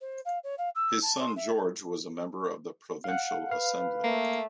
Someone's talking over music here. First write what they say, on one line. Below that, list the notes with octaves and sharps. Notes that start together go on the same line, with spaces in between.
His son George was a member of the provincial assembly.
C5
F5
C#5
F5
E6
A5
C6
E5
F5 F#5
B4 F5
A3 A#3